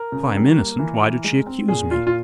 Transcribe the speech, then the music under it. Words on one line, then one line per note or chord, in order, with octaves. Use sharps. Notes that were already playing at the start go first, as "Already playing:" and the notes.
"If I am innocent, why did she accuse me?"
Already playing: A#4
C#3
G3
A#3
E3
E3
G#3
C4
A#2 G#4
A#2 F4
F4